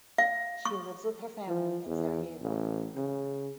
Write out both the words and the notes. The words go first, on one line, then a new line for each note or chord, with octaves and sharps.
She lives with her family in Sarajevo.
F5
C#6
F3
E2
A1
C#3